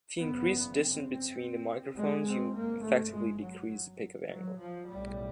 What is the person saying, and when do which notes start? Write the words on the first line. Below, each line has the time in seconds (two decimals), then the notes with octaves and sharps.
If you increase the distance between the microphones, you effectively decrease the pickup angle.
0.19 F#1 E2 C#3 B3
0.78 C4
1.95 G#3
2.25 C4
2.54 G1 G2 A#3
2.83 A3
3.13 G#3
3.42 F#3
4.30 F#3
4.59 F3
4.88 B1 A2 G3